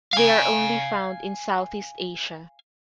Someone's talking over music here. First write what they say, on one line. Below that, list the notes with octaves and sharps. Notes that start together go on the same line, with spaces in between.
They are only found in Southeast Asia.
F5 G#5